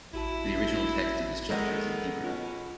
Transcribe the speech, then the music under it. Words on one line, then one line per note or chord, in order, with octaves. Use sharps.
The original text of this chapter is in Hebrew.
A1 E4 F#4 A5
D#3 G#3 B3 A4 E6 A#6
B2 C#4 F4